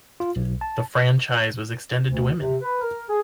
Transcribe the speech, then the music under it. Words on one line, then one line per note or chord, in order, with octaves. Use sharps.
The franchise was extended to women.
F4
B1
A5
D2
C3
B4
A#4
G#4